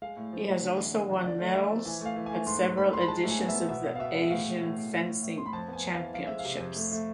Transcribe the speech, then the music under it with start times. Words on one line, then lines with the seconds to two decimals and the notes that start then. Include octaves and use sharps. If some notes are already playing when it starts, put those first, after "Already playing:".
He has also won medals at several editions of the Asian Fencing Championships.
0.02 G#3 F5
0.17 A2
0.33 F3
0.48 A2
0.63 D3
0.78 E2
0.93 D3
1.09 E2
1.24 D3 D5
1.40 A3
1.55 A3 E5
1.70 F3
1.85 E3 G#5
2.01 A3 F5
2.16 E3
2.26 G#5
2.31 A3
2.47 G#2 C6
2.62 G#2
2.77 G#2 B5
2.93 G#2 C6
3.01 B5
3.08 G#3 A5
3.23 A2
3.28 G#5
3.39 B3
3.48 E5
3.54 B3
3.69 B2 E5
3.84 B3
3.95 F5
4.00 B2 E5
4.15 G#3
4.23 E5
4.31 A2 F5
4.45 A2
4.61 A2
4.76 A2
4.92 A2
5.07 A2
5.23 A2
5.38 A2 C6
5.46 B5
5.53 F2 A5
5.68 B3 G#5
5.84 F2
5.94 F5
6.00 E3
6.14 F2 F5
6.27 G#3 E5
6.39 F5
6.45 C3
6.60 F2
6.76 A3
6.91 A3